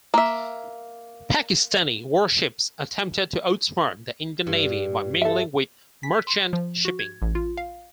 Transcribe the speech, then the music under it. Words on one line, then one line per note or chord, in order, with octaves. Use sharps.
Pakistani warships attempted to outsmart the Indian Navy by mingling with merchant shipping.
A#3 E5
G2
A4 E5
B6
C6
F3
F#4
G#6
A1
F4
F5